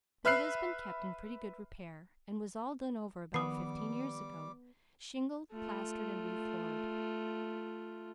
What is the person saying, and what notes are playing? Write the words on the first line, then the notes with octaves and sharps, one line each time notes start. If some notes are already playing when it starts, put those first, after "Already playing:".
But it has been kept in pretty good repair, and was all done over about fifteen years ago--shingled, plastered and re-floored.
B4 E5 F6 F#6 C7
D#3 F3 G3 B3 D6 D#6 C7
A3 F4